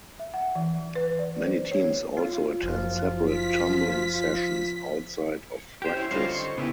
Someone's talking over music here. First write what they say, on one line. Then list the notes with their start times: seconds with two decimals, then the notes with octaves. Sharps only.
Many teams also attend separate tumbling sessions outside of practice.
0.20 E5
0.34 F#5
0.55 E3
0.95 B4
1.19 D5
1.42 C5
1.72 C#5
2.17 F4
2.63 F#1 F3 F4
3.24 B6
5.82 G4 C5 G5
5.97 C#4 E4
6.11 D3 G3 C#4 D#4 F4 C5
6.29 C#6
6.58 C#3 B3 E4 G4